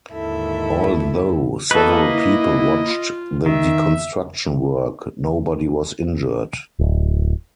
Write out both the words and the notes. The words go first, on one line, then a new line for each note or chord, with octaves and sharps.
Although several people watched the deconstruction work, nobody was injured.
D#2 G#2 D3 E4 A4 E5
A#3 F#4 A4 B4 D#5
E4
F4
D#3 E5
D1